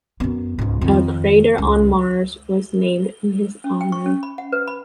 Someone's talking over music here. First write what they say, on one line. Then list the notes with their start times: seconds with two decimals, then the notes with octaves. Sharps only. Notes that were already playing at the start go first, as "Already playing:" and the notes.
A crater on Mars was named in his honor.
0.20 F#2 B3
0.58 C#2 G#2
0.81 F2 D#3
1.58 C#2
3.64 C#4
3.81 G5
3.92 C#6
4.06 C#4
4.23 B5
4.38 F#5
4.52 B4
4.67 B5